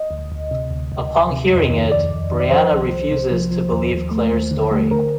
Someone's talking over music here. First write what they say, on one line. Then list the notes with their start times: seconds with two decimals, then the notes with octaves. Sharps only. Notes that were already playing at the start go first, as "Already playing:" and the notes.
Upon hearing it, Brianna refuses to believe Claire's story.
Already playing: D#5
0.11 D2
0.32 D2
0.51 C3
0.71 D2
0.92 D2
1.11 D2
1.31 C3
1.51 F2
1.72 D#3
1.91 F2 D5
2.12 F2
2.32 D#3
2.40 D5
2.51 F3 C5
2.72 C2
2.92 C2
3.11 C3
3.31 F3
3.51 F3
3.72 D#2
3.92 D#2
4.11 A3
4.32 D#2
4.51 D3
4.71 A3
4.91 D3 A#4